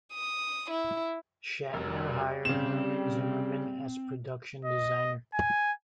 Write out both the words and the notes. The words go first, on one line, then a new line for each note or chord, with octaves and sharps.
Shatner hired Herman Zimmerman as production designer.
D#6
E4
F1 G3 F#4 A#4
C#3 C4 E7
D#5
G#5